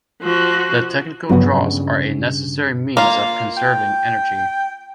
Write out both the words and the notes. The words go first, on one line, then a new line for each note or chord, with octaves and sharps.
The technical draws are a necessary means of conserving energy.
F3 F#4
G2 C#3 F3 F#3 B3
A#3 F4 F5
G5